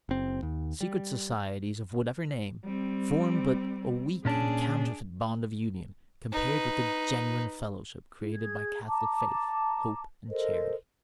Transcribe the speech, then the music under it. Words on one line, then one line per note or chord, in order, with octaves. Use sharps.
Secret societies, of whatever name, form but a weak and counterfeit bond of union compared with the genuine fellowship created by Catholic faith, hope and charity.
F#1 C4
D#2
G3
G3 C4
A#2 C#4 D4 G#4 A5
D#4 B4
E4
G#4 G#6
A5 A#5 D6
A4 A#4 C5 D#5